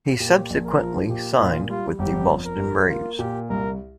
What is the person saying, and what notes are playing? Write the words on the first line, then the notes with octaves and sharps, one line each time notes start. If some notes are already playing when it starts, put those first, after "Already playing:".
He subsequently signed with the Boston Braves.
A#2 G4
A#1
A#4
F3
A#2 G4
A#2 F4
G3 F4
G1 G4
F2
A#4
G3
A#3 F4
A#2 G4
C2 A#4